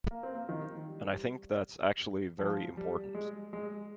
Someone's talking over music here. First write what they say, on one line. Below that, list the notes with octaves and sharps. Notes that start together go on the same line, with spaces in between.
And I think that's actually very important.
A#3
C4
A#3
D#3
G3
F3
G3
G#3
G#3